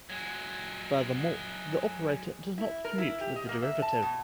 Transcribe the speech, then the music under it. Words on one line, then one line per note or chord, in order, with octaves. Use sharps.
Furthermore, the operator does not commute with the derivative.
F#3 G#3
E4
A#4
E4
G4
D#5
A#3
E5
A5
B2